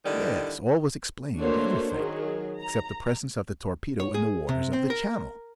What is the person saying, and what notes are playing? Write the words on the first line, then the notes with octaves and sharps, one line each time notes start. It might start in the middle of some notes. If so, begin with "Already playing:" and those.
Yes! all was explained, everything--except the presence of the torpedo in the waters of the channel!
D3 D#3 G3 E4
A3 A#3 D4 F#4 C5 C#5
D#3 F#3 G#4
A#5
C#5
G#4
C3
C4
A#4